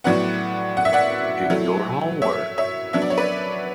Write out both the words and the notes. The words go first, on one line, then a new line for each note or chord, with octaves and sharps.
Do your homework!
A2 F#3 B3 D5 F#5
F#5
E5
D5 F#5
F#3 A3 E4
C#5 E5
C#5 E5
F#3 B3 D4 E5
D5
C#5
B4 D5